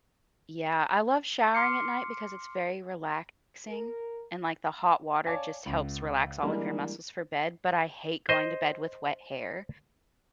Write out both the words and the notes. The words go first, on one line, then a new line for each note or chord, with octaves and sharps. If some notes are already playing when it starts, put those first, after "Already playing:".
Yeah, I love showering at night because it's very relaxing and, like, the hot water just helps relax all of your muscles for bed, but I hate going to bed with wet hair,
C6 D6 F6 C7 C#7
A#4
C#5 D5 F5 G#5 A5 D6
C#2
E3 G3 G#3 A#3 D4
C5 D#5